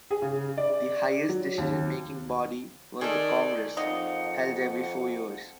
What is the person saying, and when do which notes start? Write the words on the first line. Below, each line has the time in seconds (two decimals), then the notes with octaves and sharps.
The highest decision-making body was the Congress, held every four years.
0.11 G#4
0.22 C#3
0.58 D5
1.29 F#3
1.58 D#2
3.01 D#3 G#4 A4 D5
3.77 F2 A#3 D#4 F#5